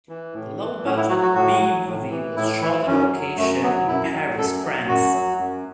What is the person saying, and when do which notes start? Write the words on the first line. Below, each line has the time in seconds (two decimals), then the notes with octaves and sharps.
The low-budget B-movie was shot on location in Paris, France.
0.09 E3
0.34 A2
0.59 E3
0.84 A2 C#4
0.97 E4
1.09 F#3 F#4
1.22 F#4
1.34 A2 F#4
1.60 F#3
1.85 A2
2.10 E3
2.36 A2 E4
2.61 E3 E4
2.86 F#2 C#4
3.12 F#3
3.37 F#2 A3
3.62 F#3 B3
3.87 F#2 E4
4.12 F#3
4.38 F#2 A4
4.62 F#3
4.88 F#2 F#4
5.14 F#3
5.39 F#2